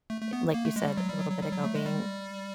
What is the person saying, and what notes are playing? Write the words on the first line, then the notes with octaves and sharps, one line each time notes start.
like you said little bit ago, being
A3
A3
B3
A#3
A3
G#3
G3
F#3
G3
F#3
F#3
G3
F#3
A3
G#3
G3